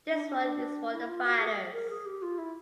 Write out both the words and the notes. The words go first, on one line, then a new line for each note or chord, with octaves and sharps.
This one is for the fighters.
D4
D4
E4
F4
F#4
G#4
A#4
G#4
G4
F4
E4